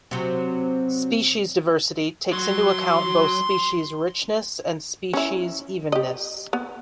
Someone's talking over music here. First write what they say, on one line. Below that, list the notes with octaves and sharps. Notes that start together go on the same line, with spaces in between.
Species diversity takes into account both species richness and species evenness.
C3 F#3
F#3 C6
C#4 E4
G4 D#5
B3